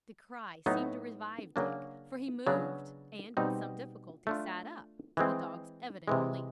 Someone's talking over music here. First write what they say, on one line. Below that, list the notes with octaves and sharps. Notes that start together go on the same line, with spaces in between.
The cry seemed to revive Dick, for he moved, and with some difficulty sat up, to the dog's evident relief.
A2 F#3 B3 D#4
C#3 F#3 A#3 D4
C#3 F#3 B3 D4
B2 G3 C4 D#4
A3 D4 F4
E3 G#3 C4
C3 E3 G#3